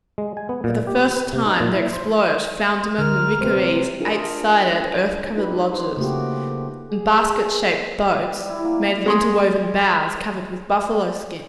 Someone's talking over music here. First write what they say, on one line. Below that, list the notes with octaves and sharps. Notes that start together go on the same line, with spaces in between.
For the first time the explorers found among the Rickarees eight-sided earth-covered lodges, and basket-shaped boats made of interwoven boughs covered with buffalo skins.
G#3
G#5
B3
A#2
G4
B4
C3
D#4
A#2
E4
C5
C6
D2 D3 A#4 F6
C3 G#3 A3 B4 C5
D4 F4 G#4 A#4
D#4 F4 G4 B4
C5
C#3 A3 A#3 F#4 G4
G#4
G3
E4
A#3
G#3 C6 D#6